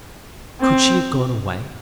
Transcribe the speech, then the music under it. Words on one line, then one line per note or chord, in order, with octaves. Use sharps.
Could she have gone away?
C4